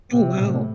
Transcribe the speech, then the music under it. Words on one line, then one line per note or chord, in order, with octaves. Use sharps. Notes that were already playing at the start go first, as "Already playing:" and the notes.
Oh, wow.
C3
A2